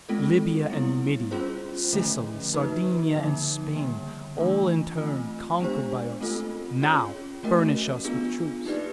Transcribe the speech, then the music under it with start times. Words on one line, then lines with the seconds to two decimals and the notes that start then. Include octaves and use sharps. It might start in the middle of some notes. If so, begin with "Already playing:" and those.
Libya and Numidia, Sicily, Sardinia, and Spain, all in turn conquered by us, now furnish us with troops.
0.09 G#3 C4 F4 A4
0.70 G3 B3 E4
1.31 C#4 F4 G#4 C5
1.93 D3 F3 A3 C#4
2.53 F3 A#3 D#4 F#4 B4
3.15 D3 F3 A#3 D#4
3.76 D3 G3 A#3
4.37 E3 A3 D4 F4
4.98 A3 C4 F4
5.60 G#3 B3 D4 G4 C5
6.21 A3 C4 F4 A4
6.82 C#4 F4 G#4 C#5
7.43 F3 A3 C#4 F#4 A#4
8.04 B3 D4 F4 G#4
8.65 A#3 D#4 G4 B4 D5